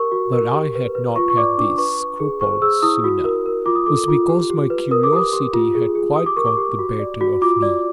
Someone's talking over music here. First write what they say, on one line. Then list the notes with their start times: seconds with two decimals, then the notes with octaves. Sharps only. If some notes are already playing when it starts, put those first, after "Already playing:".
That I had not had these scruples sooner was because my curiosity had quite got the better of me.
Already playing: G4 A#4 C#6
0.12 F#4
0.33 A#4
0.54 G4
0.75 B4
0.95 B4
1.16 F4 C#6
1.30 C#6
1.37 D5 D6
1.58 D4 D6
1.78 B4 C#6
2.00 B4
2.20 G#4
2.41 C5 C#6
2.62 G#4 E6
2.82 E4 D#6
3.04 F#4
3.25 A#4
3.46 A#4
3.66 F4 D6
3.75 D#6
3.86 A4 D6
4.08 F4
4.29 G4
4.49 G4
4.70 B4
4.91 A#4 D#6
5.03 D6
5.13 G4 D#6
5.33 G4
5.53 F4
5.75 G#4
5.95 G#4
6.16 G4 D#6
6.26 D6
6.37 A#4 C#6
6.46 D6
6.58 G4
6.79 F#4
6.99 D5
7.21 F#4
7.42 F4 D6
7.62 D5